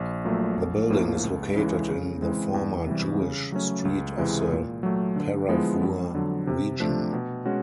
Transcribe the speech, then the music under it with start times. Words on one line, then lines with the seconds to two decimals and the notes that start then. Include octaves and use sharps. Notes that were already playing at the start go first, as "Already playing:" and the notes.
The building is located in the former Jewish Street of the Paravur region.
Already playing: A#1
0.25 A#2 F#3 A3
0.57 A#1
0.90 A2 F3 A#3
1.23 C#2
1.56 C#3 E3 G#3
1.89 C#3
2.21 E3 G#3 C4
2.54 E2
2.87 C3 E3 G3
3.20 C#3
3.52 F#3 A3 C#4
3.85 C#2
4.18 C3 E3 G#3
4.51 A#2
4.83 F#3 A3
5.16 D3
5.49 F3 G#3 B3 E4
5.82 F2
6.15 D3 F#3
6.47 C3
6.80 F3 A3 D4
7.13 B2
7.46 G#3 C#4 F#4